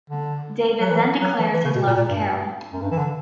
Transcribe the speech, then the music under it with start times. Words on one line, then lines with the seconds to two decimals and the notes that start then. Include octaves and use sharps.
David then declares his love for Carol.
0.10 D3
0.81 F#3
0.90 E3
1.21 F#3
1.38 E3
1.53 E3
1.65 C#3
1.75 B2
1.87 A#2
1.97 A#2
2.08 G2
2.73 F#2
2.81 G2
2.91 E3
2.98 D3